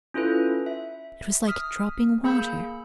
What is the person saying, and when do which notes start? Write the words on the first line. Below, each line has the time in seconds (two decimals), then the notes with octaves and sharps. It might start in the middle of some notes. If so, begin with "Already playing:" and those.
It was like dropping water.
0.14 C#4 E4 F4 A4 B4
0.66 E5
1.48 D#6 F6 B6
2.24 A#3 G#4 B5 E6 G6